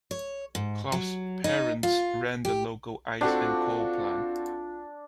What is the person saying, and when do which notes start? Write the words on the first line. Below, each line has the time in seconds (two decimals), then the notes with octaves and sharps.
Clough's parents ran the local ice and coal plant.
0.11 C#5
0.55 G#2
0.92 F#3
1.44 D#4
1.83 F4
2.45 G4
3.21 C4 D4 F4 F#4 A4